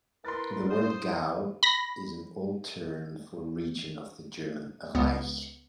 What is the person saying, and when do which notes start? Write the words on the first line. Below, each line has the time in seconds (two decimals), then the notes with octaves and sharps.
The word Gau is an old term for a region of the German "Reich".
0.25 E4 A#4 B4 C6 A6
0.70 C5 D#6
1.63 B5 A#6
4.95 C#2 B3